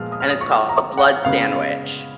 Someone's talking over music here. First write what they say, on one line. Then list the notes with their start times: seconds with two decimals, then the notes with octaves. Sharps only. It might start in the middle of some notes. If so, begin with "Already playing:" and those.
and it's called Blood Sandwich,
Already playing: A#2 F3 G#3 B3 F6
0.12 D#6
0.20 F6
0.30 D#6
0.41 C#6
0.69 A#5
0.98 F#5
1.25 C#3 G#3 B3 F5